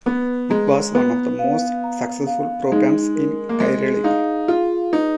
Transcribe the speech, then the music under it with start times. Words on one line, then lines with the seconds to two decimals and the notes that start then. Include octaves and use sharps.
It was one of the most successful programs in Kairali.
0.06 B3 B4
0.50 G#3 A#5
0.95 B3 B4
1.39 F5
1.84 A#5
2.27 F5
2.72 G#3 D#4
3.16 A#4
3.49 A#3
3.60 G#3 G#4
4.04 D#4 F5
4.48 F4 G#4
4.92 D#4 B4